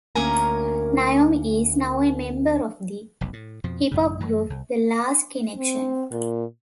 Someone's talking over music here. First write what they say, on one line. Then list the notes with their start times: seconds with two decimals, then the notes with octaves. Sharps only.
Naomi is now a member of the hip-hop group The Last Kinection.
0.15 D2 A#3 C#4 A#4 G#5 A#5
3.21 F1 B1 F#2
3.33 A2
3.64 F2 B2 F3
3.91 A1 F#2 C#3
4.20 F#2 E3 G#3
4.50 C2
5.58 C4
6.11 A#2